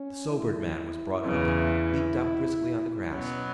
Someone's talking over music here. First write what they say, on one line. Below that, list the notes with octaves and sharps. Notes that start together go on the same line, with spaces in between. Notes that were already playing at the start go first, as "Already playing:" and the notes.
The sobered man was brought up and leaped out briskly on the grass.
Already playing: C#4
E4
E2 C#3 E3
B2 F#3 B3 C#4